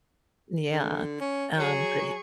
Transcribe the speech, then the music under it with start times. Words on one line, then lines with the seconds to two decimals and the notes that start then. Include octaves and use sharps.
Yeah, th um, but he
0.72 D3
1.20 C#4
1.58 F#3 G#4 C#6